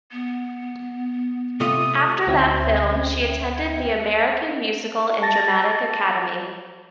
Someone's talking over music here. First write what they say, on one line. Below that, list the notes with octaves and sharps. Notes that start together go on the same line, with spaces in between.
After that film she attended The American Musical and Dramatic Academy.
B3
C3 A3 F4 D#6
D2 C4 C#4 E5 G5 G#6
A5 A6 A#6